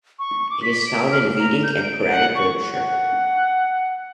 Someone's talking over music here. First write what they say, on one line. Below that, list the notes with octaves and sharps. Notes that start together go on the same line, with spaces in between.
It is found in Vedic and Puranic literature.
C#6
D6
B6
D7
F6
A#5
G6
D7
F#5
C#6
F#5